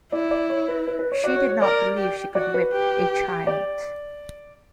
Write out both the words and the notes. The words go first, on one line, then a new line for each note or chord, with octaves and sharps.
She did not believe she could whip a child.
E4 D5
D5
C#5
B4
B4
B4
C#5
F#4 D5
C#5
C#5
A#4 D5
G4
F#4 D5
B4
G4
D5